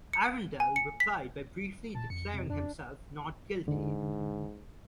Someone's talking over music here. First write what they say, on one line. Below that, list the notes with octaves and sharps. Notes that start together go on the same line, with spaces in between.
Arundell replied by briefly declaring himself not guilty.
C#7
G#5
C#7
B6
A#2 A5
F2 C#7
C3
F2 D4
E2 G#2 D3